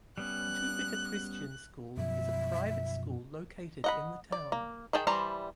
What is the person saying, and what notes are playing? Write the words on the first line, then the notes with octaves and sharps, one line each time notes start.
Jupiter Christian School is a private school located in the town.
G3 B3 C#4 F#6
F#2 B2 F3 E5
D#5 F#5 B5
D5
A#3
D#3 G#4 G5 A5
E3 G3 C5 A5 A#5